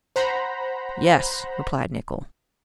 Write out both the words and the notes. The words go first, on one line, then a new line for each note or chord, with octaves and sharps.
"Yes," replied Nicholl.
C5 F#5 A#5 B5